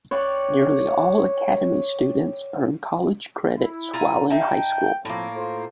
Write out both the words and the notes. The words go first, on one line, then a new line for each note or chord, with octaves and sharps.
Nearly all Academy students earn college credits while in high school.
C#5 D5 F#5 G5
E4
F4 G#5 A#5
D#4 E5 G5 A5
A2 F3 A#3 C4
F4 A4 C5